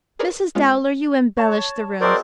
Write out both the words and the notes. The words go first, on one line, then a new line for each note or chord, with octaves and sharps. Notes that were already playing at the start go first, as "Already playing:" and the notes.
Mrs. Dowler, you embellish the rooms.
G#4 A#4 B4 C#5 D5
G#3 B3 C#4 F4
C#5 A5
F#3 G#3 C4 A#4 C5 D5